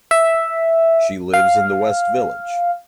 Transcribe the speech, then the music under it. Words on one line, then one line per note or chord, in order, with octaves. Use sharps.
She lives in the West Village.
E5
F5